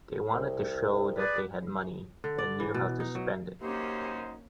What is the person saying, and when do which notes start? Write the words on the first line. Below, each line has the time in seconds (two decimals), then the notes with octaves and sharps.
They wanted to show that they had money and knew how to spend it.
0.33 C2
1.17 G#4 B4 D5
2.24 D3
2.38 D5
2.60 E3
2.74 B2
3.00 D#4
3.15 F#3
3.61 F#2 A#3 C#4 D#4 G4 C5